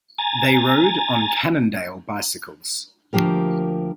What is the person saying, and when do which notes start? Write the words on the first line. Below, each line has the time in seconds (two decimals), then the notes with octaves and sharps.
They rode on Cannondale bicycles.
0.18 G#5 A#5 A6
3.13 D2 F3 A#3 G4 A#4